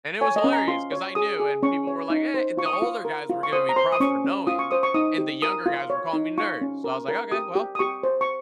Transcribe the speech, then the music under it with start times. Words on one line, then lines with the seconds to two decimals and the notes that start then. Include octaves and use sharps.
and it was hilarious 'cause I knew and people were like, "Eh" The older guys were giving me props for knowing and the younger guys were calling me, "Nerd," so I was like, "Okay, well"
0.21 C#5 G#5
0.36 D#5
0.44 C#4
0.53 A#5
0.68 F4 C6
0.92 C#5
1.15 G#4 D#6
1.40 G#4
1.63 C#4 C#6
1.87 C#5
2.10 D#4
2.34 C5
2.57 F4 C#6
2.66 D#6
2.73 C#6
2.82 F4
3.05 A#4
3.29 F4
3.43 C#6
3.53 C5 D#6
3.69 A#5
3.76 C5 C6
3.92 D#6
4.00 C#4 C#6
4.25 C#4
4.47 F4 D#6
4.59 C#6
4.71 C5 D#6
4.83 C#6
4.94 D#4 D#6
5.18 G4
5.42 A#4 D#6
5.66 F4
5.90 C#5
6.13 D#4
6.38 F4 C#6
6.61 C#4
6.84 A#4
7.08 A#4
7.32 G4 D#6
7.55 G4
7.75 D#6
7.79 G4 C#6
8.03 C5
8.21 C#6